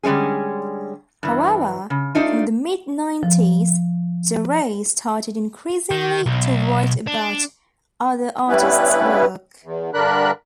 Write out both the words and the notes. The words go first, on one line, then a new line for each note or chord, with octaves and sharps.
However, from the mid-nineties Jaray started increasingly to write about other artists' work.
D3 G3 G#3 C#4 G#4
G2 E3
C#3
A3 D4 D#4 F4
F3
D#3
B1
D4
G2 G3 B3 C#4 E4 B4
E2
G2 D3 D4 A#4 B5 F#6